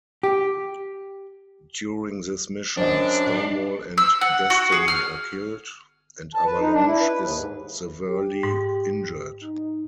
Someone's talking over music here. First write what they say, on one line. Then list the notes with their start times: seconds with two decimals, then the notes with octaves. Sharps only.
During this mission Stonewall and Destiny are killed, and Avalanche is severely injured.
0.23 G4
2.77 F#2 D4 C5 D#5
3.98 E6
4.21 F#5
4.50 F#4
4.72 G#4
4.88 F6
6.34 A5
6.45 B4
6.60 D#4
6.73 D4
6.87 E4
7.01 B4
7.20 D#2
7.35 G#2
8.08 G4
8.43 G#2
9.42 D#4